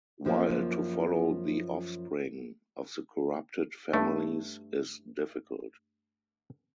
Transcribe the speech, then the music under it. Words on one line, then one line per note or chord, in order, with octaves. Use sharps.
While to follow the offspring of the corrupted families is difficult.
F#2 F3 G#3 A#3
G2 A3